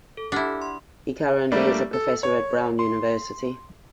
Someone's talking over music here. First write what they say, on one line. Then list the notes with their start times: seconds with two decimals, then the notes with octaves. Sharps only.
He currently is a professor at Brown University.
0.17 A4
0.32 D4 E4 G4 F#5 F6
0.62 C6
1.52 G3 A3 A#3 D4
1.93 A4
2.23 C#5
2.79 C6